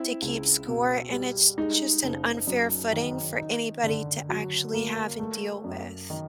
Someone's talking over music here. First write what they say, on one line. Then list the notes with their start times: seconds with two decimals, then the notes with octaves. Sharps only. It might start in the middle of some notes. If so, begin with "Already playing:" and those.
to keep score, and it's just an unfair footing for anybody to actually have and deal with.
Already playing: C4 E4
0.22 C#2
0.67 B2
1.12 G3
1.58 G#3 D#4
2.03 F#1
2.47 F#2
2.93 D#3
3.38 D#4
3.84 D3
4.29 F#3
4.74 A#3
5.19 A3
5.64 F#2
6.10 D#3